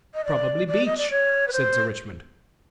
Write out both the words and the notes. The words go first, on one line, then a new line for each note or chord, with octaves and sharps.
"Probably beech," said Sir Richmond.
D#5
D5
D5
D#5
D5
C#5
B4
C5